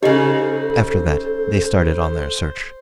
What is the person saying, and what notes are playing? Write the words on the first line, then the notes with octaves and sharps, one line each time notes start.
After that, they started on their search.
C#3 D#4 G4 A4 C5 D#5